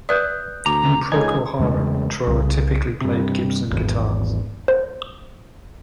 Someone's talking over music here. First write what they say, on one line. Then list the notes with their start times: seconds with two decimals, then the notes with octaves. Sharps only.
In Procol Harum Trower typically played Gibson guitars.
0.09 B4 D5 E5 D#6 F#6 G6
0.66 D2 A#5 D6
1.12 C#2 C#3 D#4 G#5
1.59 E2 C#3 G#3 C#4
2.27 C2 C#3
3.01 G2 C3
3.71 G#1 E2
4.68 C5